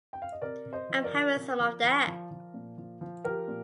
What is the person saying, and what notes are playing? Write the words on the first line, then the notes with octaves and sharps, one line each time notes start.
I'm having some of that.
G5
F5
D#5
C3 A#4 D5
C3
C5 D#5
F3
A#4 D5
F3
C3
F3
F3
F3
F3
A#2
F3
F3
F3 G4 A#4
A#2